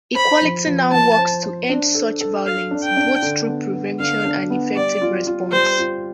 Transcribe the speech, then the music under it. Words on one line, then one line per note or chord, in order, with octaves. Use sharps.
Equality Now works to end such violence both through prevention and effective response.
C5 B5
F3
F3
F3 A5
C5
C5
D4
A4
A4
A4 F5
D4
G5
D4
D3
B3
B3
D3 F5
D4
B3
G3 D5
F4
F4
G3 C5
F4